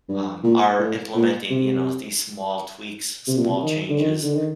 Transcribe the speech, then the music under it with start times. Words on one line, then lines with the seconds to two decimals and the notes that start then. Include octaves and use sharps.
um, are implementing, you know, these small tweaks, small changes,
0.09 G2
0.44 A#2
0.79 A2
1.15 A#2
1.50 C3
3.28 C3
3.38 A#2
3.48 C3
3.63 D#3
3.89 D3
3.99 D#3
4.23 D3
4.35 D#3